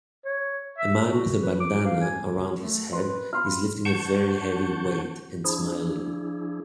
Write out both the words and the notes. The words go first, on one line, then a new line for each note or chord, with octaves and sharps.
A man with a bandanna around his head is lifting a very heavy weight and smiling.
C#5
E5
F#4
B4
D6
F5
G#5
A3
B4 C6
F4 B5 C6 F6
F#5 A5 C#6 G6
F3 D4 E4 G#4